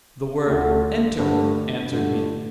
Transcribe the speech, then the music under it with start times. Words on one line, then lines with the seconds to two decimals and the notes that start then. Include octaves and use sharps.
The word "Enter!" answered me.
0.46 D2 D3 A3
1.19 G2 D3 A3
1.92 G2 D3 A3